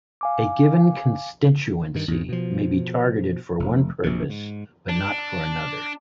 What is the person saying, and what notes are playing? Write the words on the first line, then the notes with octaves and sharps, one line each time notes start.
A given constituency may be targeted for one purpose, but not for another.
F5 G#5 D6
G2 D#3
E2 G#2
B2 F3
F1
A#1 F#2 C3
G#2
D4